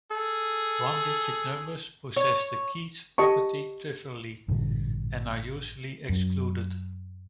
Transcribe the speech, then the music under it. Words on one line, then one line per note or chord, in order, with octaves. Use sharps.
One-digit numbers possess the Keith property trivially, and are usually excluded.
G#4 A4
C#5
G4 D#5 A5 C#6
A1 G2 A#2 D3
F#2 F#3